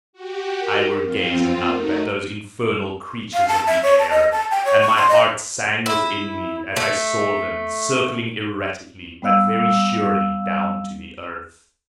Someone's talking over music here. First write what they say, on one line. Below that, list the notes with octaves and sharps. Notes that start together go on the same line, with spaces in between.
I were gazing up at those infernal creatures of the air; and my heart sang within me as I saw them, circling erratically but very surely down to the earth.
F#4 G4
A#4
F2 C4 F4
B3
A3 D#4 F#4 A#4
F5
A5
E5
C#5
A5
D#5
A5
G5
C#5
C#6
C6
D#5
E4
A3
G3 B3 F5 E6